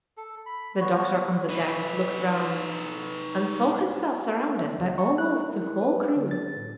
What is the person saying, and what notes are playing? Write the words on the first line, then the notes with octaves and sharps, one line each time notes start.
The doctor, on the deck, looked round, and saw himself surrounded by almost the whole crew.
A4
B5
B3 F#4 C#5
D#4 B4
E5
C#2
C#6
F#6
A#4
E4
B4
D3
A6
A2